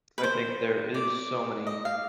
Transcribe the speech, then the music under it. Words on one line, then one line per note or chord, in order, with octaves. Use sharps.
I think there is so many
B4
C5
D5
D#5
F5